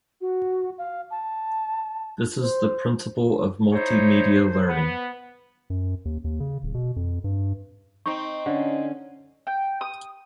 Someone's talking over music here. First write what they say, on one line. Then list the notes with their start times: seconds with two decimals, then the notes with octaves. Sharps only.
This is the principle of multimedia learning.
0.21 F#4
0.78 F5
1.11 A5
2.41 C5
3.72 D#4 E4 C5 C#5
4.68 B3
5.70 F#2
6.05 D#2
6.24 D#2
6.40 C#3
6.63 D1
6.74 B2
6.96 F2
7.24 G2
8.06 C4 D#4 C#6
8.46 D3 C#4
9.47 G5
9.81 D#6